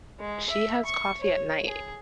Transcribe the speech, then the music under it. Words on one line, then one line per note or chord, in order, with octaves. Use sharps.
she has coffee at night,
G#3
E5
C#6
C#5
G#4